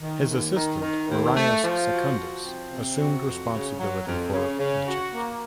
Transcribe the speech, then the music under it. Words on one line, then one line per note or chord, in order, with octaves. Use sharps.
His assistant Marius Secundus assumed responsibility for Egypt.
D#3
D#2
D#3
D#3
D#2
A3
F3
F#4
F3
C4
C3
F#4
F2
C#3
F#3
F2
C#3
C#3
F#4
A#3